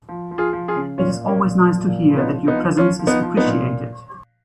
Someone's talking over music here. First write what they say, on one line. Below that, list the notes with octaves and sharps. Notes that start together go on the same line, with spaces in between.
It is always nice to hear that your presence is appreciated.
F3
F3
F4 G#4
F3
F4 G#4
C#3
A#2 C#4 F4
A#2
A#3 C#4
A#2
F3
A#2
F3
B3 D#4
F3
B3 D#4
F3
F3 C#4 F4
F3
B3 D#4
F3
B3 D#4
A#2